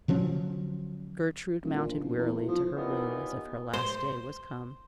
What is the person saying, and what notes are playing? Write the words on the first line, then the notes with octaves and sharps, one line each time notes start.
Gertrude mounted wearily to her room as if her last day was come.
D3 F3 F#3 C#4
D#1
A#2
A#1
F#1
E2
A2
F3
D#2 A#2 D#3 E3 B3
C5